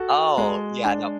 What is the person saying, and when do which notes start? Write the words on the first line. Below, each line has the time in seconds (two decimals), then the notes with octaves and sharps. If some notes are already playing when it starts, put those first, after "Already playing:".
Oh, yeah, no
Already playing: F#4 A4
0.38 G#3
0.85 D4